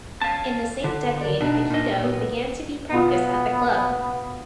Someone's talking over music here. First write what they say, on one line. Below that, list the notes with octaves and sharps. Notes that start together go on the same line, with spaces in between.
In the same decade aikido began to be practiced at the club.
C#4 F5 A5
D3
A#4 D5
B2 D4 D#4
A#2 D#5
B3
B2 B3 F4 D#6